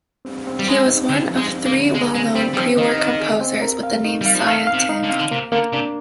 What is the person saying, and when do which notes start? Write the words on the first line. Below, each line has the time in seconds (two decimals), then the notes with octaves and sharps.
He was one of three well known pre-war composers with the name Saya Tin.
0.25 C4
0.47 C4
0.59 G3
0.67 G#3 C4
0.88 D#4
1.09 D3 C4
1.31 F3
1.37 G#3
1.52 C4
1.66 A#3
1.73 D3
1.94 G#3 G#4
2.15 G#3 C4
2.35 G3 C4
2.53 G3
2.57 F3 C4
2.78 D#3 D#5
3.00 D#5
3.21 G#4
3.41 C4
3.62 A#4
3.83 F5
4.05 D#4
4.21 G3 F5
4.35 F3
4.47 D#3 F5
4.67 F5
4.74 C3
4.89 D#4
5.03 D3
5.10 C3 F5
5.19 D3
5.31 C3 A#3
5.52 D3 A#3
5.73 C3 D4